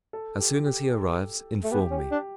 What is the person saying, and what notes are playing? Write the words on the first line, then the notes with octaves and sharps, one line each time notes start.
As soon as he arrives inform me.
A4
G4
G4
A4
A3
B3 G4
C#4
G4
D4